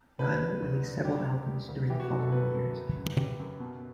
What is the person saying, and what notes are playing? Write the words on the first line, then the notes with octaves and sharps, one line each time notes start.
Riley released several albums during the following years.
D4 B4
C#3
D2
D4
D2 G4
C#3
G3
D2
E3 G4
F#4
G4
F#2
A4
B3 B4
F#2
F#2
C#3
C#3 G4
F#2
B2